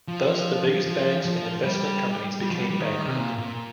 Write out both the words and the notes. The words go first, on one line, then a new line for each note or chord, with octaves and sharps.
Thus the biggest banks and investment companies became bankrupt.
F3
F3
F3
G3
G3
F3
G3
G3
D#3
C3
A#2
A#2